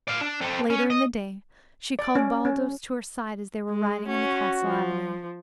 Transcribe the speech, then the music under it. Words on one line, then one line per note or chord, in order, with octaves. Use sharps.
Later in the day she called Baldos to her side as they were riding in the castle avenue.
D5 F5
D4
C4 A4
C#4
D#5
D5
C#4
C#4
G#3
C#4 F#4
F3